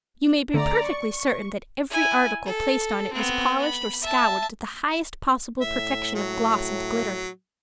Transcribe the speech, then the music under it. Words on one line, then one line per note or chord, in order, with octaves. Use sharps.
You may be perfectly certain that every article placed on it was polished or scoured to the highest possible perfection of gloss and glitter.
D3 A3 D5 A#5
C#6
E4 G#5
A4
B3 C4
B5
E5 A5
A2 E5
F#3